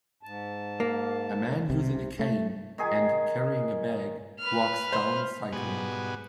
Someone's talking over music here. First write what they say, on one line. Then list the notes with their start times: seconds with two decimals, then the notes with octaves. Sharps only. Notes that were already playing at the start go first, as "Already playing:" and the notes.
A man using a cane and carrying a bag walks down a sidewalk.
0.23 G#2 A5
0.80 A#3
1.70 C2 C3
2.19 A3
2.78 D#3 G#4 G#5
4.39 B4 F6
4.92 C5
5.52 G#2 B2 G3 B3 F#4 G#5